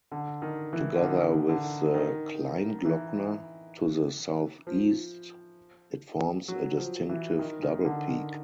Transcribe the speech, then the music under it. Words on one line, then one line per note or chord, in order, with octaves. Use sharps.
Together with the Kleinglockner to the southeast it forms a distinctive double peak.
D3
D#3
E3
D3
D#3
D3
D#3
E3
F3
F#3
F3
E3
D#3
D#3
D3
D#3